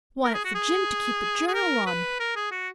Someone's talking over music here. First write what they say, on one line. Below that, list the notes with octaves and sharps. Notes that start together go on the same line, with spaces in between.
"Want it for Jim to keep a journal on."
A#4
G#4
F#4
G#4
G#4
A#4
B4
A#4
G#4
F#4